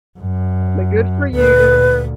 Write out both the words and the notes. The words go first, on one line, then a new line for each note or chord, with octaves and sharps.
like, "Good for you."
F#2
D2 A#2 B4